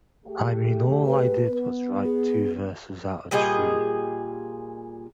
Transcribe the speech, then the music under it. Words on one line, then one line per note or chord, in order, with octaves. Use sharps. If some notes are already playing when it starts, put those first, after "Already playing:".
I mean, all I did was write two verses out of three.
A3 G4 G#4
B4
B3
G#4
A#2 G3 G#4 D#5